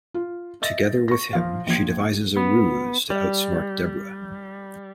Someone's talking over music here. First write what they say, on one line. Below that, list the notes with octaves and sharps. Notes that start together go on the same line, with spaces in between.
Together with him, she devises a ruse to outsmart Debra.
F4
D#5 E5 A6 A#6
C#6 A#6
F3 F5
A#1 F3 G#6
B3
G3